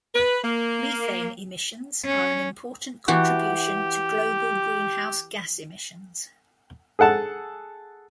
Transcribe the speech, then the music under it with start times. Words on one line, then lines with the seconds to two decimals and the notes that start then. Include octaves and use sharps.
Methane emissions are an important contribution to global greenhouse gas emissions.
0.15 B4
0.43 A#3
2.05 C#4
3.08 E3 F#4 G4
6.99 G#4 A4 F#5 A5